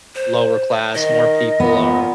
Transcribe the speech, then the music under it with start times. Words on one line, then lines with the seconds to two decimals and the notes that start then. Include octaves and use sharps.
lower class, more people are
0.15 C5
0.95 D#3 D#5
1.60 A#2 B3